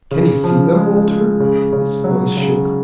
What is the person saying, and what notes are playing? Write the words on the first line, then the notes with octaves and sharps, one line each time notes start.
"Can you see them, Walter?" His voice shook.
C#3
F3
G#3
G#3
C#3
C#3
F#3
C#3